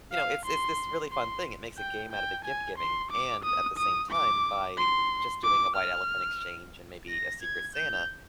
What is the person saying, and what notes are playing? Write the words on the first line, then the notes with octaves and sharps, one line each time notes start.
you know, it's it's this really fun thing. It makes a game out of the gift giving and at the same time, by just doing a white elephant exchange and maybe a Secret Santa,
F5
C6
C6
G5
G5
G#5
C6
D6
D#6
D#6
D6
C6
D6
F6
A#6
G#6
G6